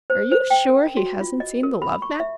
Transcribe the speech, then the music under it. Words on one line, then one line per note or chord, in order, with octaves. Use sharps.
"Are you sure he hasn't seen the Love Magnet?"
C5
C5
G5
A#4
F#4
F4
D#5
A#4
B5
C#6
E5